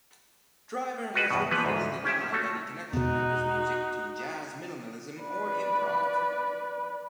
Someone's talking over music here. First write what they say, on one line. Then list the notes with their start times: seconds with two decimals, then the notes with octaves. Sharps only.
Driver has repeatedly denied any connection of his music to jazz, minimalism or improv.
1.14 F4 F#4 B4
1.30 E2 G2 B2
1.51 E3 F3 B3 B4
1.65 D2 G#2
2.04 C#4 G4 E5
2.32 A3 F#4 A4
2.93 E2 B2 D#4 F#4
5.20 B4 D5